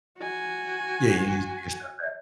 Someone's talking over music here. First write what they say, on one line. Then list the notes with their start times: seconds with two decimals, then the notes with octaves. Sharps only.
Yeah. You used to go step back.
0.18 F#4 G#5